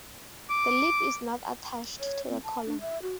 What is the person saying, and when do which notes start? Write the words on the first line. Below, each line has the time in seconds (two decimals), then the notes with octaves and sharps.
The lip is not attached to the column.
0.50 D6
2.00 C#5
2.29 C4
2.43 A5
2.66 D4
2.81 E5
3.02 F#4